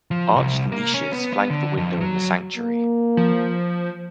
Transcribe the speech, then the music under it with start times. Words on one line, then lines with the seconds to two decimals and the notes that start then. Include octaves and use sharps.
Arched niches flank the window in the sanctuary.
0.11 F3
0.36 C2
0.72 A#3
0.94 C#4
1.13 B3
1.33 B3
1.50 D3
1.77 F2
2.00 F#3
2.57 A#3
3.17 F3